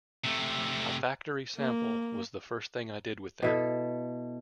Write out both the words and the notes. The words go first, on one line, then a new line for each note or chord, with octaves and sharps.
"A Factory Sample" was the first thing I did with them.
C3 A3
A#3
B2 E4 A4